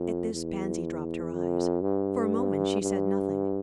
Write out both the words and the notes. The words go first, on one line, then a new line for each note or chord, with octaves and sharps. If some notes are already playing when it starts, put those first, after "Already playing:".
At this Pansy dropped her eyes; for a moment she said nothing.
Already playing: F2
E2
F2
G2
G2